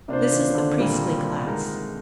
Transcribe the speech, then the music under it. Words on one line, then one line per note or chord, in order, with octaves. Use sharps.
This is the priestly class.
C3 A#3 D4 F4 C5
D#3
D#3
D3
A#2 G3 A#3
G#3 D#4 A#4